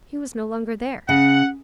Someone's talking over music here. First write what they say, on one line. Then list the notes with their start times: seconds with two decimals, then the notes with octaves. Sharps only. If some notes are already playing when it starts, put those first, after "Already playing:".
He was no longer there.
1.09 C#3 F#5